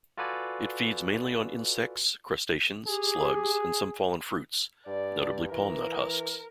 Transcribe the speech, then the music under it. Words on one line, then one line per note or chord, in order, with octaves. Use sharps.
It feeds mainly on insects, crustaceans, slugs and some fallen fruits, notably palm-nut husks.
F4 F#4 A4 B4 D5 G#5
G4 G#4
G2 D5
E3 A#4